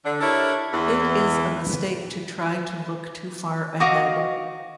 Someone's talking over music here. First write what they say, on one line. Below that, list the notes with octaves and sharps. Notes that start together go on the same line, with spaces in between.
It is a mistake to try to look too far ahead.
D3
D4 E4 G4 A4 A#4 C#5
E2 E3
F#4 D#5 F5 D6